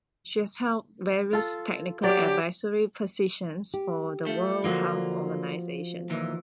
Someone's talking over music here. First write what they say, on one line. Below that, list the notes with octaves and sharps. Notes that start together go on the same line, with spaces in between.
She has held various technical advisory positions for the World Health Organization.
F4 A4
F#3 G4 D5
G4
F3 A3
D3 F3 F#3 A#3 F#4
D#2 A#2 E3